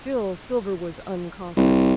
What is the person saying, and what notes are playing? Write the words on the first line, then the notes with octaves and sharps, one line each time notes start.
Still Silver was unconquered.
C2